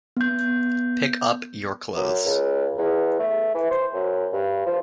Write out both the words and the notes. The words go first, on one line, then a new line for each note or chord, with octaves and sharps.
Pick up your clothes.
B3 G6
F#2
C#2
E2
A3
E3
C5
F#2
G2
F3